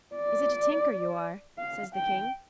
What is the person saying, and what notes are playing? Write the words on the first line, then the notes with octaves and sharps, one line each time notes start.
"Is it a tinker you are?" says the king.
D5
F5
G5